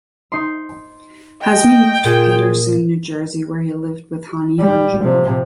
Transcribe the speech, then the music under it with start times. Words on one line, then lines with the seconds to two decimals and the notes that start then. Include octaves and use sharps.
Hazmi moved to Paterson, New Jersey where he lived with Hani Hanjour.
0.32 D#4 C6
1.42 D#5 G5
2.04 A#2 F4 G#4
4.60 G3
5.03 C3 F3